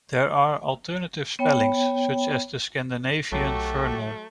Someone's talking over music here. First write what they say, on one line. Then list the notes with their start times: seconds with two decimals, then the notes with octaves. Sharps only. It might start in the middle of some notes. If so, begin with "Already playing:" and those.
There are alternate spellings, such as the Scandinavian "Verner".
1.39 B3 C#5 G5 B5
3.32 B1 F#3 A3 F#4 G4 A4